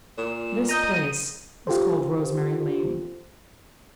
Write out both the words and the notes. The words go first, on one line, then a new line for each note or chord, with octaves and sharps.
This place is called Rosemary Lane.
A#2 E7
D#5 A#5 G6 D#7
F4 G4 A4 C5